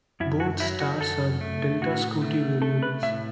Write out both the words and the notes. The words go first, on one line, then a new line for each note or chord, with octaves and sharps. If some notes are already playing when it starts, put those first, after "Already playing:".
Both stars are Delta Scuti variables.
F#2 E4
F#4
F#3 E4
F#4
F#2 A4
A3
A2 F#4
A3
A3 A4
B4
A2 E5